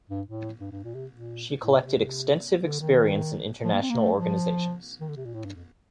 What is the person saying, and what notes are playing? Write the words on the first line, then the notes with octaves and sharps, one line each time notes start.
She collected extensive experience in international organizations.
G2
A2
G2
G2
A#2
C3
A#2
A2
C3
D3
D#3
F3
A#3
C4
A#3
A3
F3
D#3
D3
C3
A#2
A2
G2
F2